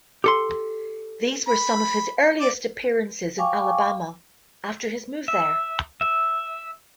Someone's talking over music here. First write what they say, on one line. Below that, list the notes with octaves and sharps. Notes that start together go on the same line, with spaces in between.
These were some of his earliest appearances in Alabama after his move there.
G4 A4 C6
B5
D5
F5 G5 G#5 C#6 D6
E5
E5